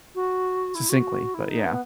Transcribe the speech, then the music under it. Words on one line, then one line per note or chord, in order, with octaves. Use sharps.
succinctly, but yeah.
F#4
E4
F#4
E4
D#4
B3